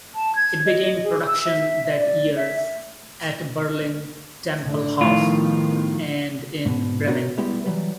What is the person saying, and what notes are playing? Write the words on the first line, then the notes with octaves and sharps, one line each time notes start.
It began production that year at Berlin Tempelhof, and in Bremen.
A5
G#6
D#5
G#4
E6
E5
D5
E5
A2 D3
A2 D#3 F3 B3 F4
G#2 B2
B3 E4 F#4 G#4 A#4 C#5
G3 G#3 B3 E4 G4
E3 F#3 G3 B4